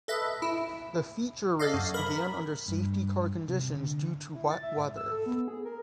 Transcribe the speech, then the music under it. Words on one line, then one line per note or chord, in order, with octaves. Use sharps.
The feature race began under safety car conditions due to wet weather.
A4 B4 D#5 E5
E4
A4 D5 D#5 F5
F#2
A#4 B5
G2
C3
D3
E4
A6
E5
G#2
E6
A4
B3
G#4
A#4